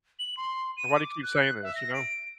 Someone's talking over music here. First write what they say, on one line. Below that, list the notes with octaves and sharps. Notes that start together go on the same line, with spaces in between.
"Why do you keep saying this," you know?
F#7
C6
D#7
D6
F#6
E5
A#6
D7